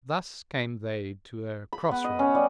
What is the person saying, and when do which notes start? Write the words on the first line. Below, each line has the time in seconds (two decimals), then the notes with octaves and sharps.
Thus came they to a crossroad.
1.73 B5
1.91 B3
2.04 D#5
2.19 C#4
2.35 G3